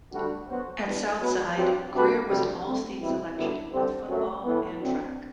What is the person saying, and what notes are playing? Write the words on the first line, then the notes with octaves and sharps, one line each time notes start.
At South Side, Greer was an all state selection in both football and track.
D2 D3 G3 D4 F#4
F#3 B3 F#4 C5
E3 G3 B3 D4
F#3 B3 F#4 B4
G2 F#3 C4 G4
C3 G3 D4 F#4 B4
D2 C3 G3
D3 A3 C4
E2 B2 G3 C4 E4
F#2 D3 G3 B3 E4
D3 G3 C4
F#2 F#3 A3
A2 E3 B3
D2 D3 F#3 C4